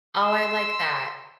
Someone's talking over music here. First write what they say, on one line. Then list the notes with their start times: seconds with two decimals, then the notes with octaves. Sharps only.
Oh, I like that.
0.23 C6 E6